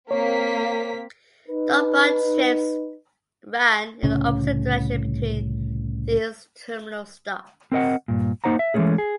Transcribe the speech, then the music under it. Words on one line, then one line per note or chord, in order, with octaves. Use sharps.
Northbound trips run in the opposite direction between these terminal stops.
A#3 C4 C#5 B6
D#4 B4
C2 A2 C#3 C#4
C4 A#4 D#5 F#5
G2 A#2
A#3 D#4 C5 F#5 A#5
E5
E3 G#3 A3 B3 C#4 G#4
G#4